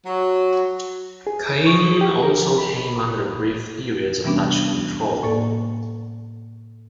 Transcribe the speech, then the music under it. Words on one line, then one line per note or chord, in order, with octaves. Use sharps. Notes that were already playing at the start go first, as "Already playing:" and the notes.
Cayenne also came under brief periods of Dutch control.
F#3 F#4
G#4
C#6
G4
A#4
B5
C3 E3 G3 B3 C#4 D4
A2 A#3 A4 D5